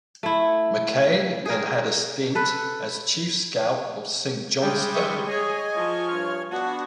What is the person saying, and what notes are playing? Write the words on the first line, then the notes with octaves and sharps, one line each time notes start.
Mackay then had a stint as chief scout of Saint Johnstone.
A3 E4
G#4 A#4
A4 B4
G3 G#3 G5
E5 C#6
G#4 C#5 D#5 G#5
F3 C#6
G2 C#5 F6
B3 D4 F#4